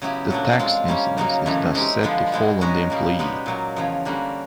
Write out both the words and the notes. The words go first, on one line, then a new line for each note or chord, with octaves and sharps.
The tax incidence is thus said to fall on the employee.
C#3 F#3 B3 E4 G4
A#2 F#3 A3 D4
G#3 C4 F4
G3 A#3 C#4
C#3 F#3 A#3 D#4
F#2 C#3 E3 A3
G#3 C4 D#4 G4
D3 F3 G#3 B3
B2 G#3 B3
G#3 C#4 F#4 A#4 D#5
B2 G3 A#3
G#3 B3 D#4 G4 B4
A#2 F#3 A#3
E2 C#3 F3
D3 G3 A#3 C#4 F#4